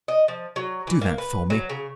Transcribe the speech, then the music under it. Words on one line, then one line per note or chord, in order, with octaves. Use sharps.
Do that for me.
D#5
F3
F#3
E3
A#3
B4
F#3
C#3